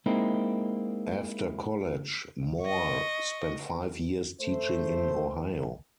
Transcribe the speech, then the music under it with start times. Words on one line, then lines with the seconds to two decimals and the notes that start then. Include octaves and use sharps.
After college Moore spent five years teaching in Ohio.
0.06 G#3 A#3 C4 D#4 E4
2.62 D#5 C#6
4.40 A3 C5